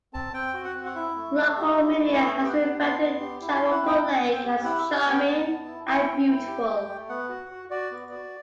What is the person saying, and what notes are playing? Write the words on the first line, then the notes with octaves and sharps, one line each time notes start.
Local media has referred to Chaiwopu Lake as "charming and beautiful".
C4 A5
C4 G5
F#4
F#5
C4
F#5
E4 E5
A3
A3
G4
E4
A3
D5
B3 E5
G4
G5
F#5
B3
B3 C6
B3
G4
E4
C6
E4
F#5
C4 G5
C4
C4
G5
G4
E4 F#5
E5
G4
F#5
B3
G5
B3 A5
B3
E4
E4 G5
C4
E4
G4
G4
A3
B3 F#5
F#4
F#4
F#4 D5
B3
F#4